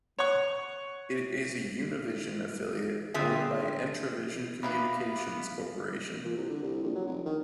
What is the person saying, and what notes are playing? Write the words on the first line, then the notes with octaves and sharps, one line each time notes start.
It is a Univision affiliate, owned by Entravision Communications Corporation.
C#5 F#5 C#6
G2 D3 C4 F4 G#4 E5
A#3 B3 D#4 B4 E5 F5 B5 D6
A#2
C2
D3
C2
A#1
F#3
F1
D#3